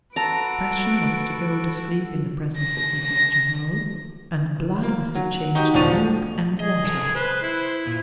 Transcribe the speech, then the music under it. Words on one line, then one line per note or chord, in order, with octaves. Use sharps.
Passion was to go to sleep in the presence of Mrs General, and blood was to change to milk and water.
F#4 A4 B4 A5 A#5 D7
A#6
A#3
F#3
D#4 F#4 G4
E1 F3 D4 C#6 D#7 F7
G#4 D#5
C3 A4 A#4
B4 C5
E4
A#2